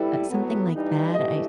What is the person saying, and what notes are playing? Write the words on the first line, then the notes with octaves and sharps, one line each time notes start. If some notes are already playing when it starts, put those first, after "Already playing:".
uh, something like that, I
Already playing: G3 E4 A4 B4
A2 F#3 B3
G2 E3 G3 D#4
G2 E3 A3 E4 G4 D#5